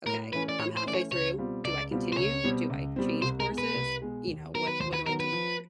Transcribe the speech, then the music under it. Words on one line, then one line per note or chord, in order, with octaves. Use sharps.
"Okay, I'm halfway through, do I continue? Do I change courses? You know, what what do I do here?"
A2 A#4
E3 A3 C#4 B4
D5
A2 C#5
C5
E3 A3 C#4 D5
C#5
C#2 C#5
B2 G3 C4 F4
C#2 D5
B2 G3 C4 F4
C5
C#2 C#5
B2 G3 C4
C#2
B2 G3 C4
C2 C5
A#4
B2 G#3
B4
C2
B2 G#3
D#2
D#3 F#3 B3 A#4
B4
D#2 C5
B4
D#3 F#3 B3 A#4
B4
F3